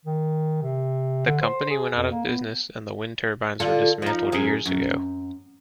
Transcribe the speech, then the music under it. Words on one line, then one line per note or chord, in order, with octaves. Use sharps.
The company went out of business and the wind turbines were dismantled years ago.
D#3
C3
D3
C5
G#4
F2
A#3
B3
D3 F4 A4
F3 D#4
F#2 C3 G#4
F#2